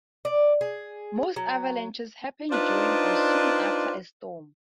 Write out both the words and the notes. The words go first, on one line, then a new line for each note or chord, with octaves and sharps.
Most avalanches happen during or soon after a storm.
D5
G#4
F#3
D4 D#4 F4 B4 C5 D5